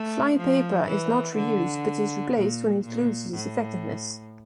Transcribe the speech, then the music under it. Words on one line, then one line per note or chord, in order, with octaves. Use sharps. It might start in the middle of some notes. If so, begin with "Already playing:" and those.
Flypaper is not reused, but is replaced when it loses effectiveness.
Already playing: A3
F3
E3
D3
A#2
A#2
A2